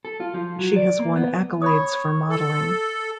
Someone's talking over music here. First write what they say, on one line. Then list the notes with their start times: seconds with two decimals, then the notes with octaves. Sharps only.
She has won accolades for modelling.
0.05 A4
0.20 F4
0.34 F3
0.59 F#3
0.76 D5
0.99 A#3
1.16 B3
1.62 C#5 B5 D#6
2.30 A4